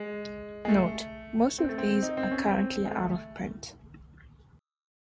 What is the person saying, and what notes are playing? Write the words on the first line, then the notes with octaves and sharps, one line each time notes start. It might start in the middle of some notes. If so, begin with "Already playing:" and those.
Note: Most of these are currently out of print.
Already playing: G#3
G#3
A3
C4
A3
C4
D#4
C4
C#4
C4
G#3
A3